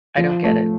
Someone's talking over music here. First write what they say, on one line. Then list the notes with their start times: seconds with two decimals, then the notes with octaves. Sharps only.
I don't get it.
0.18 F3
0.44 A3